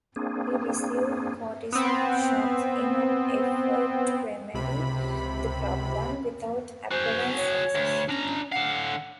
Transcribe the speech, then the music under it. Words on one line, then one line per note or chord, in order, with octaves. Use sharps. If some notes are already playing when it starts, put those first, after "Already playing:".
He received cortisone shots in an effort to remedy the problem, without apparent success.
A#3 C4 D4 G#4
B3 C4
C#2 C3 B5
F#4 G#4 C5
C#5
D2
C#4 D4 A#5
D3 F5 F#5